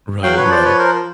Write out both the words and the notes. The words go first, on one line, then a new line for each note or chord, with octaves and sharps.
Right, right.
F#3 F5 G5
B4 C#5
F3
C5 D5
B4 C#5
A#4 C5